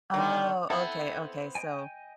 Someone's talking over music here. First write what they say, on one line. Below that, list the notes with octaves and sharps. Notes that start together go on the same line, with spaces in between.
Oh, okay, okay, so
D3 D#3 F#3 B3
B3 C4 E4 A4 F#5 A5
D#5 G5 G#5